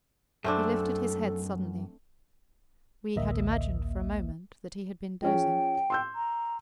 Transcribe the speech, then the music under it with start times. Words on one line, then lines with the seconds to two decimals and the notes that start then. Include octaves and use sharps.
He lifted his head suddenly; we had imagined for a moment that he had been dozing.
0.44 F#2 A3 C4 D4 A4
3.16 A1 D2 A#3 D#5 E5
5.23 F3 C#4 G#4 G5
5.90 C6 E6 G6
6.15 A#5